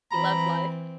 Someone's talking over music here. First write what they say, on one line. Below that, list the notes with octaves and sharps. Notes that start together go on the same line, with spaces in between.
he loves life.
E3 C4 A#5 B5